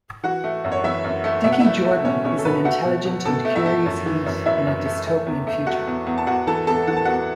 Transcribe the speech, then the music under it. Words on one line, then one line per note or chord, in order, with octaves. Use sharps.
Dickie Jordan is an intelligent and curious youth in a dystopian future.
E3 F#4 F#5
A3
F#2
C#5
E3 E4 E5
F#2
A3
B2 E5
F#5
A3 E4 E5
A3
B2 C#4 C#5
B2 C#4 C#5
A4
B2 B3 B4
A3 F#4 F#5
B2
B2
B2 A4 A5
A3
E4 E5
A3
F#2
E3
F#2
F#2 E4 E5
F#2
A3
A3
E2
A3
A3 F#4 F#5
E2
E2
A5
E2 F#4 F#5
E3 A4 A5
E2 A4 A5
E3 F#5
A5
E2 F#4 F#5